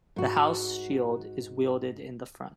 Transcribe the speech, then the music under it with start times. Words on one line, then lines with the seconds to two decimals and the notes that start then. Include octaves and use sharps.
The house shield is welded in the front.
0.16 G#2 F#4